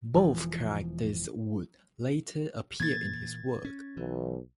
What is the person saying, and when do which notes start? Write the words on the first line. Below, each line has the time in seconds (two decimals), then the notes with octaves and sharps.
Both characters would later appear in his work.
0.15 E1 E3 F3
2.80 A#2 E3 A#3 G#6 A6
3.65 C#4
3.97 B1 E3